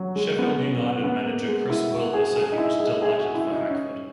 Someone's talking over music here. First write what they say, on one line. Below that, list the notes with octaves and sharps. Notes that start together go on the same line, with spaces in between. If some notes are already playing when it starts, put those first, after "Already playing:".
Sheffield United manager Chris Wilder said he was "delighted" for Hackford.
Already playing: F#3
G#3
B3
C#4
B3
B3
A#3
G#3
E4
F#4
G#4
G#4
D#4
E4
G#4
G#4
F#4
E4
D#4
C#4